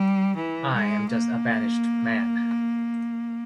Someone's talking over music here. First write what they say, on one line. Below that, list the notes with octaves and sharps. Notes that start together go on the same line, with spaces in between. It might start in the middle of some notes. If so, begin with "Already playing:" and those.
I am just a banished man.
Already playing: G3
E3
G#3
A#3